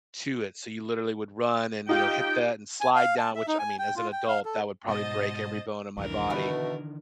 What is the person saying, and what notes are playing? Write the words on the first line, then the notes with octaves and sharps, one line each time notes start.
to it, so you literally would run, and, you know, hit that, and slide down which, I mean, as an adult, that would probably break every bone in my body,
D#4 F4 G4 G5
G#5
F5
A5
E5
D#4
G#5
G5
F4
G5
F5
A4
G#2 B2 C5 D#5 A6
C2 F2 G#2 E3 D4 A#4
B2 D3 D#3 A3 B3